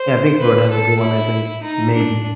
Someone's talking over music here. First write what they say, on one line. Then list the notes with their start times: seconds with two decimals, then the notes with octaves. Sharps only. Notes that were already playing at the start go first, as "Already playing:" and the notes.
Yeah, I think Florida has a good one, I think, maybe.
Already playing: C5
0.39 B4
0.70 A4
1.00 E4
1.62 D#4
1.93 D4